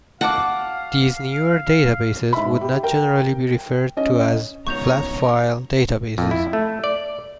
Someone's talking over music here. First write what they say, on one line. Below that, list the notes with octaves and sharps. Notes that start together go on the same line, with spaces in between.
These newer databases would not generally be referred to as flat-file databases.
F#4 F5 F#5 A5 D6
G#2 E5 B5
G4
A#4 G5
C#4 D#5
C#2 G#2 B2 C#5 A#5 C#6 G6 F7
F2
E4
A3
D5